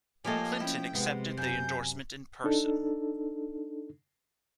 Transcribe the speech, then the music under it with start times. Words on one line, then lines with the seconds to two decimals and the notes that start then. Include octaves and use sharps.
Clinton accepted the endorsement in person.
0.25 F3 A3 A#3 G4 C#5 D#5 G#5 A5
0.60 C#4 E4 G5
0.95 C3 G#3 B3
1.37 F#2 G#5 G6
2.44 D4 D#4 A4